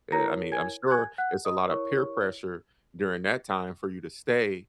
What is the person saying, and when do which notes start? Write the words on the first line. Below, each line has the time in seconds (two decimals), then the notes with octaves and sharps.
Eh, I mean, I'm sure it's a lot of peer pressure during that time for you to stay
0.12 E4 A#4 C#5 A#5 A#6
0.52 G#5 G#6
0.88 F#6
0.91 G#5 G#6
1.18 F#5 F#6
1.45 D#5 D#6
1.71 E4 A#4 C#5 C#6